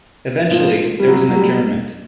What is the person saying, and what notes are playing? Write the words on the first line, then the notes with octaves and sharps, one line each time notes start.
Eventually there was an adjournment.
F3
G3
F#3
F#3
G3